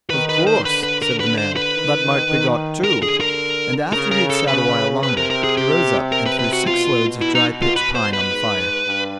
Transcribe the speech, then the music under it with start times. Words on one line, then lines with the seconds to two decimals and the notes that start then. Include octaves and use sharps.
'Of course', said the man, 'that might be got too.' And after he had sat a while longer, he rose up and threw six loads of dry pitch-pine on the fire.
0.10 D#3 B4
0.29 B4
0.47 C5
0.65 D3 B4
0.83 B4
1.02 A#4
1.20 B4
1.38 C5
1.56 B4
1.75 D#3
2.29 D#3
2.84 D3 A#4
3.03 G#4
3.21 A#4
3.93 C#3 A#4
4.11 A#4
4.30 A4
4.48 C#3 B4
5.03 C3 B4
5.17 A#4
5.30 A#4
5.44 G#4
5.57 G4
6.12 A#4
6.26 B4
6.39 B4
6.53 F#4
6.67 B2 F4
7.21 E4
7.35 D#4
7.62 F4
7.76 B4
7.95 C5
8.13 B4
8.31 G#2
8.86 G2